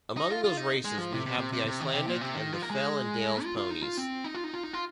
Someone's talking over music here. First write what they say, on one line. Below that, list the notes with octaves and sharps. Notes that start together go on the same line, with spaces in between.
Among those races we have the Icelandic, and the Fell and Dales ponies.
D#4
F4
F4
D#4
G#3
F3
C3
C3
C3
C3
C3
D#3
C3
A#2
C3
D#3
F3
A#3
G#3
F4
F4
D#4
F4
C4
D#4
F4
D#4
F4
D#4
F4